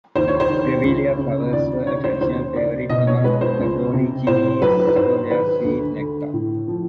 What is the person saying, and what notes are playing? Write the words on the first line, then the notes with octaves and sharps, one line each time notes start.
Grevillea flowers were a traditional favourite among Aborigines for their sweet nectar.
D#2 C5
C#5
C5
D#3
C#2
C#3
D#2 D5
C#3 C#5
C5
D#2 C5
C#3 D5
B2 D#5
C#5
G#3 B4
C5
C#2
C3
A2 C5
F#3 B4
B4
G#2 C5
D#3 B4
D2
D3
A2
F3